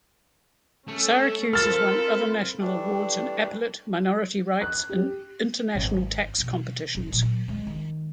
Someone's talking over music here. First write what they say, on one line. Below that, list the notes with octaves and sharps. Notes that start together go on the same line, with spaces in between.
Syracuse has won other national awards in appellate, minority rights, and international tax competitions.
A3 C#4 A4
C4 F4 A4 A#4 B5 F6 A6
E3 G3 A3 D4
F#6
G4
G#1
B2 E3
D1 D4
A#2 F#3
D2 G#3
D#3